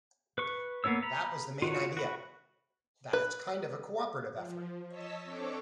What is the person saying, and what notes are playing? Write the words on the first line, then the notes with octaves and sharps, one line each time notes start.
That was the main idea, that it's kind of a cooperative effort.
B4 C#6
A#3 B3 D4 C#5 E6
A#5 B5
F4 F#4 C#5
F#4 B5
B4
F3
C#5 D#5 A5 E6 B6
C4 D4 A4 C#5 C#6 D6